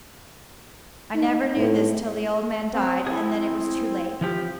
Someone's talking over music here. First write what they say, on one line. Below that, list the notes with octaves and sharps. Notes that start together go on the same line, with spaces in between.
I never knew this till the old man died, and then it was too late.
D#4
A2
C4
C4 E4 G#4
E3 F3 G4